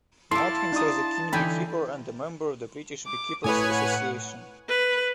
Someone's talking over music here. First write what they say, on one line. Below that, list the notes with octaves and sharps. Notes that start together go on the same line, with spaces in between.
Nutkins was a keen beekeeper and a member of the British Beekeepers' Association.
E4 A4 F5 A5 C6 D6
D4 D#4 D#6
D3 E3 D#4 G5 G#5 B5
D6
A2 B4 C#5 G#5 D#6
F#5
B4